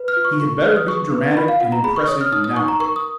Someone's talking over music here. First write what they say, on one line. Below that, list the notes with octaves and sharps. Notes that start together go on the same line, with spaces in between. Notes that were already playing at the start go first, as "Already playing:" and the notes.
He had better be dramatic and impressive now.
Already playing: B4
F6
F4
C#6
F4 C#6
B4 F6
D#6
G#4 C#6
B4
F4 B5
F5
F4 F#5
A#5
G#4 B5
C#6
C#5 D#6
F6
D#4 D#6
D#6
D#4 C#6
A#5
A#4 C#6
D#6